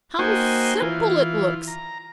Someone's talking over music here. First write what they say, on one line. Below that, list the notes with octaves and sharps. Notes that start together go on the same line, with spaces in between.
How simple it looks!
A#3 D#4 F#4 C5 G5 G#5
E3 F4
A#5